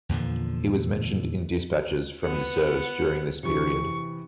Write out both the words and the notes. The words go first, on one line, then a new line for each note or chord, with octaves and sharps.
He was mentioned in despatches for his service during this period.
E2 A#2 D3 F3
B3 F#5
C3 E3 C#6